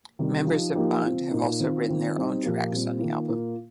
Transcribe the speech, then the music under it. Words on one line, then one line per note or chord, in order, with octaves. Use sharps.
Members of Bond have also written their own tracks on the album.
C3 D#3 G3
F3 D#4 G4
F3 A#3 D#4 G4
F3 C4 F4
A#2 A#3 D#4
D#3 C4 F4
D#3 C4 F4
G3 C4 D#4
A#2 F3 A#3 G4
A#2 G3 C4
D#3 A#3 F4
A#2 A#3 F4